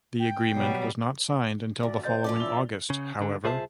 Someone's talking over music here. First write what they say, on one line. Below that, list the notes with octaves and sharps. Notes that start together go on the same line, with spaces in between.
The agreement was not signed until the following August, however.
G5
B2 F#3 G3
D2 D5
C5 D#5 G6 A6
F3 C#4 D5
E4 E6 F7 G7
C#3
G#2 D3
C2 F4 G#4 C5 E5 A5